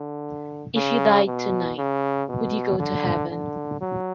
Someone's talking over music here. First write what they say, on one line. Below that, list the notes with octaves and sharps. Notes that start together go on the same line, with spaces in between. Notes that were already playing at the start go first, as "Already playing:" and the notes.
If you died tonight, would you go to heaven?
Already playing: D3
C#3
B2
C#3
B2
D3
D3
F#3